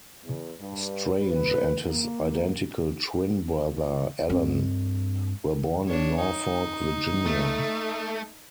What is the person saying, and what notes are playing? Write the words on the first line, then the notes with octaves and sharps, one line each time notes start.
Strange and his identical twin brother, Allan, were born in Norfolk, Virginia.
E2
G2
B4
A#3
G2 C4
D4 C#5
D#4
A3